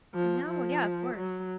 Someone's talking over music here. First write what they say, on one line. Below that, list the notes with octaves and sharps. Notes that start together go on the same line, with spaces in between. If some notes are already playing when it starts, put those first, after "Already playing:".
No, yeah, of course.
F3
F3
F#3